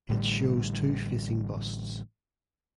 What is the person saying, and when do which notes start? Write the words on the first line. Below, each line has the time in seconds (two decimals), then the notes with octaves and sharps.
It shows two facing busts.
0.09 A1 A2 D3 G3